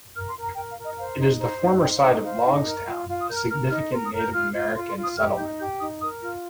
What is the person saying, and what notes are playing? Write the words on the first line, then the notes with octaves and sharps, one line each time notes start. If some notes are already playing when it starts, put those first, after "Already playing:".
It is the former site of Logstown, a significant Native American settlement.
A#4 F6
C6
A#4
A#5
A#4 G5
F5
A#4
D#5
C5 F5
D#4 A#5
C5 A#5
D#4
C5 G5
F5
D#4
D#5
C5 F5
D#4
A#4
F4
F4 F5
D#6
A#4 G6
F6
A#4 F6
D#4 F6
A#4 C6
D#6
A#4
G6
F4 F6
F4
F4 C6
C6
F4
D#6
G4 F6
D#4 G6
G4 G6
D#4 D#6
A#4 D#6
F4 F6